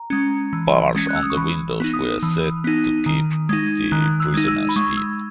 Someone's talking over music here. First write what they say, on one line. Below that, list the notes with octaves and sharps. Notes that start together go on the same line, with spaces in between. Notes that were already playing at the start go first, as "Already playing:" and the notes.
Bars on the windows were set to keep the prisoners in.
Already playing: A#5
G#3 C#4
E3
G#3 C#4
F#6
E6
D#6
C#6
E3 B5
B3 D#4
D#6
E3
B3 D#4
D#3
G#3 D#4
D#3 F#6
E6
G#3 D#4
E6
B5
G#3 C#6
E6